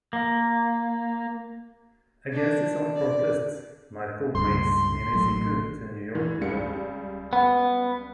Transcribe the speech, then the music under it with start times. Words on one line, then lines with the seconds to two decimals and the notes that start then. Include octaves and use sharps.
Against his own protests, Michael brings Mimi-Siku to New York with him.
0.13 A#3
2.33 D4
2.96 D5
4.35 C#2 G2 C6
5.13 A1 F#3 A3
6.15 E3
6.41 C#2 G3 C#7
7.33 B3